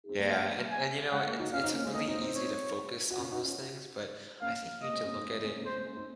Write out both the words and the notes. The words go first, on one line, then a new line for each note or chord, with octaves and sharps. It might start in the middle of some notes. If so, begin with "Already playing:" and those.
Yeah, and and, you know, it's it's really easy to focus on those things, but I think you need to look at it,
C4
A#3
G#3 F5
A#3
G#5
G#3 F#5
A#3
D#4 F#4
C#4 F4 F5
C4 D#4
A#3 C#4
G#3 C4
A#3 C#4 D#5
C4 D#4
C4 D#4
C#5
F#4
C#4 F4
D#4 F#4
C#4 F4
A#3 C#4 F5
A#3
A#3 D#5
G#3 C4
A#3 C#4
C4 D#4
G#3
A#3
G#3 C4
A#3 C#4
G#3 C4 C5
G#3 C4
A#3 C#4
C4 D#4